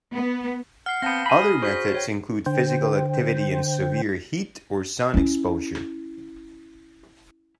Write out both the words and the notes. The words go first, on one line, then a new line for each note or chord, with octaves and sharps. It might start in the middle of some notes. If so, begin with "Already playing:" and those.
Other methods include physical activity in severe heat or sun exposure.
B3
F#5 F6 C7
B3 C4 F5 A5 G6 A#6
G#5 B5
D#6
F#4 G#4 C5 C#6 B6
C#5 G5
D3 C5 G5
C#4 E4